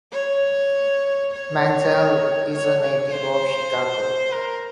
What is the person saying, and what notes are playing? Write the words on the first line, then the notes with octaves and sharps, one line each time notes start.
Mandel is a native of Chicago.
C#5
C#5
C#5
C#5
C5
A#4